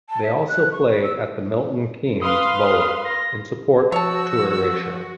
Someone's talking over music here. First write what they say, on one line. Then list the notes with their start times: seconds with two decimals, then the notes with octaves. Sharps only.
They also played at the Milton Keynes Bowl in support to Erasure.
0.09 A5
0.23 E5
0.35 A5
0.48 F#6
0.71 C#6
0.89 B4
1.03 E6
2.22 B4 F5 C6 D#6
3.05 A#6
3.92 F3 F#4 C#5 A5 E6